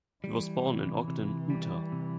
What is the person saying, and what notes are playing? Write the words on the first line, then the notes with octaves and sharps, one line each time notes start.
He was born in Ogden, Utah.
E3 G3
C3
C3
G3
C3